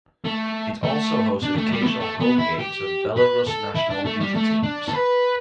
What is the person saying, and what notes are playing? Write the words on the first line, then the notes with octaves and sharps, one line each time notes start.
It also hosted occasional home games of Belarus national youth teams.
A3
A3
D4
A3
G3
B3
A3
A3
B3
E4
G4
B4
A4
E4
D4
A3
G3
A3
D4
A4
B4